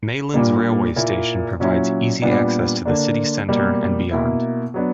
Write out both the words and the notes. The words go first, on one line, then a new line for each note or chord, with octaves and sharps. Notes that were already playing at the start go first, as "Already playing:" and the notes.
Maylands railway station provides easy access to the City centre and beyond.
A#2 G3 A#3 D4
A#2 A#3 E4
A#2 F#3 C#4 E4
A#2 G3 B3 D4
D3 A#3 D4
B2 G3 A#3
B2 A#3 E4
F#3 B3 D4